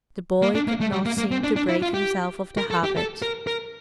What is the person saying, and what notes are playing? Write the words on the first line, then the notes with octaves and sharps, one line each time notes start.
The boy could not seem to break himself of the habit.
A#3
D4
A#3
A3
G3
A#3
A#3
C4
D4
D4
E4
F4
G4
A#4
A4
G4
A4
A#4
A#4